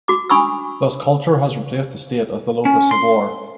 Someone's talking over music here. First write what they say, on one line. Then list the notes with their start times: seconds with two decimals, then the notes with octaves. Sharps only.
Thus, culture has replaced the state as the locus of war.
0.08 F#4 D6
0.30 D4 G#5 B5 C#6 D#6 E6
2.65 C#4
2.91 C6